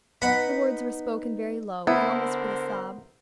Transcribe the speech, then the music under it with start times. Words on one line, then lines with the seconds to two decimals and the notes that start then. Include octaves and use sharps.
The words were spoken very low, and almost with a sob.
0.22 B3 D#4 F#5 B5
1.87 D3 B3 E4 A#4 C5